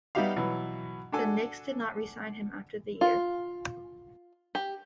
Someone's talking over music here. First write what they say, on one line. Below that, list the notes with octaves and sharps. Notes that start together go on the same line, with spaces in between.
The Knicks did not re-sign him after the year.
G3 B3 D#4 G4 E5 F5
B2 E3 F#3
D4 F#4 A4 G#5
F4
G4